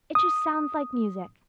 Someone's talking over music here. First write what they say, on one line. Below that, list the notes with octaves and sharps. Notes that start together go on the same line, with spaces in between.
It just sounds like music.
D#6